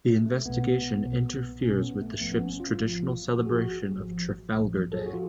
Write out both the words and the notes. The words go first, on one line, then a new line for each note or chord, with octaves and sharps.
The investigation interferes with the ship's traditional celebration of Trafalgar Day.
A3
B1 B2 B3
B1 B2
B1 B2 C#4
B3
A3
G#1 G#2 F3 B3
B3
C#4
F4
G#1 G#2 F3 F4
G#1 G#2 F3 F#4
G#4
F#4
G#1 G#2 F3
B1 A2 F3
A4
G#4
F#4
F3 F4